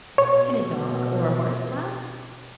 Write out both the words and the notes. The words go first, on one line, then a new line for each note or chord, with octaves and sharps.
Can a dog, or a horse laugh?
B2 C#5